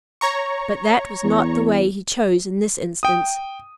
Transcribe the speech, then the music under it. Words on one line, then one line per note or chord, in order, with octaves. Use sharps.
But that was not the way he chose in this instance.
C#5 A#5 C#6
E2
G5 D#6